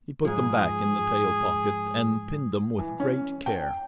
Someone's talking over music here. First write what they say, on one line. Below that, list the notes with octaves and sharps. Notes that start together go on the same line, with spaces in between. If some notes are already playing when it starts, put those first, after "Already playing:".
He put them back in the tail-pocket and pinned them with great care.
G#2 F3 G#4
E3
C#4
G5